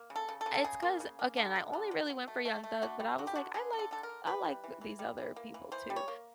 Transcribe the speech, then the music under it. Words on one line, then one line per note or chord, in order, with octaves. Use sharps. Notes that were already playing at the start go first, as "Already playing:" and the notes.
it's 'cause again, I only really went for Young Thug, but I was like, "I like I like these other people too."
Already playing: A#3
C#3
A4
C#3
A4
C#3
A4
C#3 G#4
A#3
C#3
A#3
D3
F#3
D3
F#3
F#3
A3
A3
A3
D3 F#4
G3
D3 F#4
G4
D3 F#4
D3 G#4
D3
A4
D3 A4
A#4
D3
E3 B4
G3
E3
E3
G3
E3
A#3
E3
E3 C5
G3
C#5
A#3